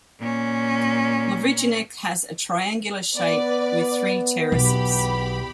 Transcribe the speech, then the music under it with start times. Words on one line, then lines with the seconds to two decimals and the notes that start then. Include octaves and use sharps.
Lovrijenac has a triangular shape with three terraces.
0.20 A#2 C#4
3.17 B3 B4 D5
4.52 B1 E2 G4 B5